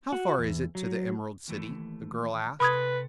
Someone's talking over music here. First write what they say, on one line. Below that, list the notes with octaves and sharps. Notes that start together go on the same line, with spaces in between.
"How far is it to the Emerald City?" the girl asked.
F#4
E2
F#3
D#2 E3 A3
C3 A4 B4 B5 C6 D#6 G#6